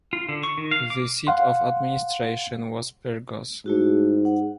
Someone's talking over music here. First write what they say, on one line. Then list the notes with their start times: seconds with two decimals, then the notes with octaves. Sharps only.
The seat of administration was Pyrgos.
0.13 F4
0.29 D3
0.44 C#6
0.58 D#3
0.71 F5
0.90 D6
1.27 F5 F#5 C6
3.66 G#2 A3 E4 F#4
4.25 F#5